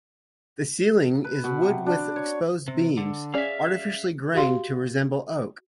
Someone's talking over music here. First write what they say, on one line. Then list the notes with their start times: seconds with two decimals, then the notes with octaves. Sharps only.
The ceiling is wood with exposed beams artificially grained to resemble oak.
1.24 B4
1.44 B2
1.62 C3
1.86 D4
2.16 C#5
2.68 C3
2.97 D3
3.34 C#4 G#4 D5 E5 F5
4.34 F#4 G4 F5 C6